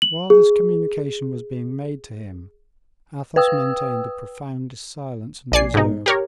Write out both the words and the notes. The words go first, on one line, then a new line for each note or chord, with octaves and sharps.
While this communication was being made to him, Athos maintained the profoundest silence and reserve.
F#7
G#4
B4 G5 D#6 E6
A#1 D5 G#5 C7
G#2 B2 D#4
G4 A#4 C#5